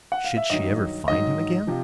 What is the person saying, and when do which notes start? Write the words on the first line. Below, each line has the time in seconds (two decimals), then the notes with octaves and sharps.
Should she ever find him again?
0.12 F#5
0.24 F5
0.37 E5
0.50 G2 D#3 F#3 D#5
1.08 G#2 D#3 F#3 D#5
1.67 C3 F3